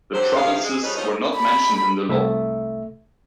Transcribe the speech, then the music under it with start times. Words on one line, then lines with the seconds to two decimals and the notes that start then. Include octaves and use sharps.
The provinces were not mentioned in the law.
0.14 D3 F#3 G4 C5
0.36 G2 C3 F3 G#3 F5
0.63 G#3
0.83 F3 G3 C#4 D#4 G#4 B4
0.95 D#2 F3 C#4 D#4
1.36 B5
2.09 C2 A3 E5